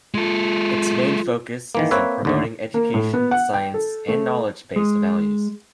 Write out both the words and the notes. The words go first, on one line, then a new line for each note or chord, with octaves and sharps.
Its main focus is in promoting education, science and knowledge-based values.
G#3 F4 A4
D#3 E3 A#3
A#3 C4 B4 C#5 E5
D#2 D3 A3
A#3
A2
B3
F#5
G5
A4
A3
G#3